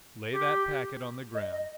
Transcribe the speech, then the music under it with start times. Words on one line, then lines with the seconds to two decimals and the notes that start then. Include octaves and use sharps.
"Lay that packet on the ground."
0.32 G4
1.35 D#5
1.51 D#5